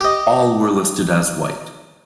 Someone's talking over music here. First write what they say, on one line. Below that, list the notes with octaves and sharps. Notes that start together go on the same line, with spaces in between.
All were listed as white.
G4 D#5